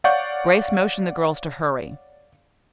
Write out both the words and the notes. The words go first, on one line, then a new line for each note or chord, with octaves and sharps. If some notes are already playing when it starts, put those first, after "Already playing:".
Grace motioned the girls to hurry.
C#5 D5 F5 F#5 C#6 G6